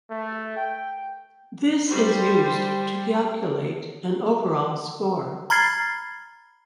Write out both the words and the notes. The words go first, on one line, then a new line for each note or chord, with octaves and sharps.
This is used to calculate an overall score.
A3
G5
G3 C5
A#5 B5 F6 G#6 A6 C7